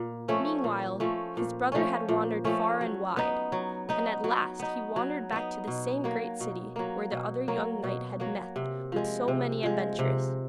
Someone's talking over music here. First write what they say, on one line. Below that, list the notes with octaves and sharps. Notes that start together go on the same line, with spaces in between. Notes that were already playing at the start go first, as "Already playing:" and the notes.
Meanwhile his brother had wandered far and wide, and at last he wandered back to the same great city where the other young knight had met with so many adventures.
Already playing: A#2
F3 A3 C#4
A#2
F3 A3 C#4
A#2
F3 A3 C#4
A#2
F3 A3 C#4
F#3
B3 D#4
F#3
B3 D#4
F#3
B3 D#4
F#3
B3 D#4
B2
F#3 A#3
B2
F#3 A#3
B2
F#3 A#3
B2
F#3 A#3
C3
F3 G#3
C3
F3 G#3
C3